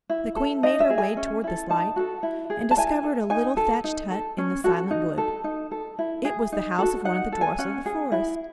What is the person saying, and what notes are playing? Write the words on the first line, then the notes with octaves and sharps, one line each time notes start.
The Queen made her way toward this light, and discovered a little thatched hut in the silent wood; it was the house of one of the dwarfs of the forest.
E4
A4
D#4 D#5
E5
G#4
G#5
C#4
E4 A4
D#4 A5
F#4 A4
E4
G#4
A5
E4 G#5
A4
D#4 G#5
A4
D#4
A4
C#4
F#4 A4
D#4
A4
D#4
A4
E4
G#4
D#4
F#4 A4
D#4 F#5
A4
G#5
C#4 F#5
G#4
E4